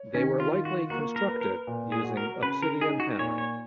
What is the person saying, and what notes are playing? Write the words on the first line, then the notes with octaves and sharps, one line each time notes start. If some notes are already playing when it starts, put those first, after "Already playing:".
They were likely constructed using obsidian hammers.
Already playing: C#5
D#3 C#4
F4
F4
F#4
A#3 F#4
A#4
B4
A#4
A#2
G#4
F#4
A#4
C#3 B4
A#4
D#4 G#4
F#4
A#2 C#5
C#5